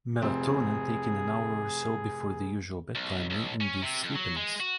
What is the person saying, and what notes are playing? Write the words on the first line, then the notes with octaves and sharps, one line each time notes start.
Melatonin taken an hour or so before the usual bedtime may induce sleepiness.
F1 C4 G#4
B1
B1
C#4
C3
F2
F#3
G#3
F#4